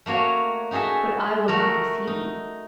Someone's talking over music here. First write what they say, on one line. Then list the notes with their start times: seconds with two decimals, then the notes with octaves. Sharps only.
But I will not deceive you.
0.06 A3 A#3 F#4 C#5
0.71 D#4 F#4 G#4 A4 E5
1.48 A3 F#4 A#4
2.07 D#4